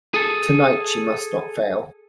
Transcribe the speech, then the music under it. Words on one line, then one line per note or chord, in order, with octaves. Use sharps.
Tonight she must not fail.
G#4 A4